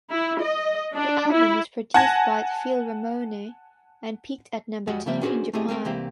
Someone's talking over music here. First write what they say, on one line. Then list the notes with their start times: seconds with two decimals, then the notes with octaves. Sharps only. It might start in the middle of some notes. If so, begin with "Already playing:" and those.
The album was produced by Phil Ramone and peaked at number two in Japan.
0.11 E4
0.40 D#5
0.94 D4
1.32 E4
1.94 F#5 G#5 A5 G#6 A#6
4.87 F2 G3 G#3 F#4 F#5
5.06 C#3 F3 G3 A#3 E5 G5
5.21 C#4 D4 F#4 G#4 B4 C5
5.53 A3 C4 E4 G4 G#4 D#5
5.68 G#3 C4 A#4 G5
5.85 C2 E3 A#3 C4 G4